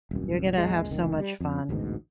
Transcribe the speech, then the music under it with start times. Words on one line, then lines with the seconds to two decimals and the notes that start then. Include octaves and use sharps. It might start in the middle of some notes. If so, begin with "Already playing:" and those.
You're gonna have so much fun.
0.11 D#1 C2 F#2
0.58 A#1 E2 G#3
0.91 F1 C#2 D#3
1.20 G3
1.40 F2
1.69 A1 D2 G#2 B2